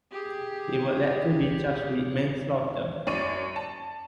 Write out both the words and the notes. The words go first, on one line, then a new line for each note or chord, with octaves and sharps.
He would later be charged with manslaughter.
G4 G#4
F#2 C#5 D5 C#6 D#7
A5